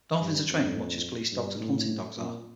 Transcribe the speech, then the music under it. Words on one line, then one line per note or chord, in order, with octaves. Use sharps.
Dolphins are trained much as police dogs and hunting dogs are.
G2
F2
G2
A2
A#2